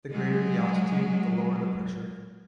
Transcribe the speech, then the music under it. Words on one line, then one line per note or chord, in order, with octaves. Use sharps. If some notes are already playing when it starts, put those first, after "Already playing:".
The greater the altitude, the lower the pressure.
F#3 G#3